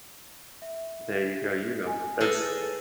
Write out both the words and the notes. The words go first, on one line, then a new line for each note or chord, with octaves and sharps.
There you go, you know. That's
E5
G#5
G#4 A4 B4 A6 A#6